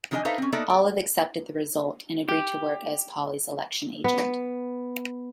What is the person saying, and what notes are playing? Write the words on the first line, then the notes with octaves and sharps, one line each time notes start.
Olive accepted the result, and agreed to work as Paulley's election agent.
D#3 F3 D4 A#4 D#5 G#5
D#4 A4 B4 C5 E5 F5
C4 C#4
A#3 B3 D#4 A4 D5 E5
D5
G4
B3